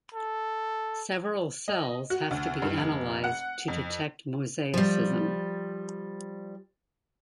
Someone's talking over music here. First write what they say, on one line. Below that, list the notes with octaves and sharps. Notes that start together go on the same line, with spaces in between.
Several cells have to be analysed to detect mosaicism.
A4
D#5
F#4
D2
G2
F1
F#5
F2
F3 G3